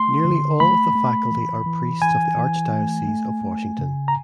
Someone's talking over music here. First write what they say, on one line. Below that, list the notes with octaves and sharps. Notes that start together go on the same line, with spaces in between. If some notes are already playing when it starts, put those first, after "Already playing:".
Nearly all of the faculty are priests of the Archdiocese of Washington.
Already playing: A3 C6
D3
A3 B5
A3
E3
E3
E3 G#5
E3
A3
A3
A3
C#3
A#5